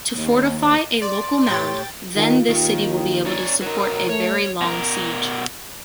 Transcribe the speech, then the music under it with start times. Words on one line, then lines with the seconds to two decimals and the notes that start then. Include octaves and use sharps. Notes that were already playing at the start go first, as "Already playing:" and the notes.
To fortify a local mound, then this city will be able to support a very long siege.
0.16 D#2
1.02 D5 C6
1.47 A2 C3 C#5 G5 A6
2.15 D#3 F4
2.48 D#2 D#3
3.25 D#4 C#5 D5
3.62 F#3 D#4 A#4
4.09 A3 C#5
4.61 B2 A#4